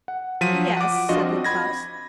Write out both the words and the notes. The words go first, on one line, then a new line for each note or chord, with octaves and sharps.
'Yes,' said Little Klaus.
F#5
F3 F#3 B6 D#7
F#5 D6
F3 D4 F4 F#4 D#5
C4
B5 G#6 A#6